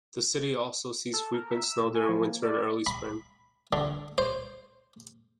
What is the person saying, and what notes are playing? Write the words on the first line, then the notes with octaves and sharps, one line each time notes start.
The city also sees frequent snow during winter and early spring.
A4
A#4
E5
E6
A#2
G#5
F3
A#3
D5
B5
D3
C5